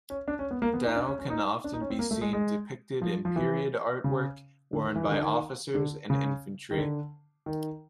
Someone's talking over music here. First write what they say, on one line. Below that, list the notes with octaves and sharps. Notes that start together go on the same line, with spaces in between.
Dao can often be seen depicted in period artwork worn by officers and infantry.
C#4
D4
C#4
B3
A#3
B3
D#4
D4
C#4
C#4
D#4
D4
D#4
C#4
C4
A#3
A3
G#3
G#3
F3
F3
E3
C#3
D3
D#3
E3
D#3
D3
D#3
D3
C#3
D#3
D3
D#3